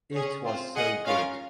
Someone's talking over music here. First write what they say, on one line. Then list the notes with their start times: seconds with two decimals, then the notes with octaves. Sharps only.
It was so good.
0.14 C#4 G#4 C#5
0.45 C4 F4 C5
0.75 G#4 D#5 F#5
1.06 C#4 F4 A#4 C#5 F5